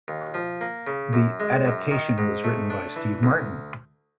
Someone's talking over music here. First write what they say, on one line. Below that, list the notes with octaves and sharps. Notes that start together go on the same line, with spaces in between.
The adaptation was written by Steve Martin.
D#2
F3
A#3
C#3
F#2
G#3
F#2
D#3
G#2
A3
D4
E3
D2